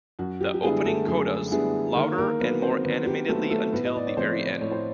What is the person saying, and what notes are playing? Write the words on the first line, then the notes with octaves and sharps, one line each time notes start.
The opening codas "louder and more animatedly until the very end".
F#2 F#4
G4
G4
D3 G3 G#3 B3 E4 G#4
A3 A4
F#2 G#3 G#4
D3 G3 G#3 B3 E4 G#4
D#3 A#3 A#4
A#3 A#4
F#3 B3 B4
C4 C5
D#3 B3 B4
G4
F#3 A3 B3 A4
A3 A4
A2 B3 B4
D#5
D5
C#5
F3 A3 C4 C5
A2 C#5
C5